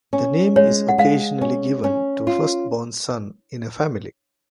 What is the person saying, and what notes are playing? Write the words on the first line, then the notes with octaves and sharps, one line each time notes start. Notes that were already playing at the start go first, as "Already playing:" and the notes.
The name is occasionally given to the first-born son in a family.
C#4
G#3 C#5
F#5
G#3 F5
C#4
C#4
F4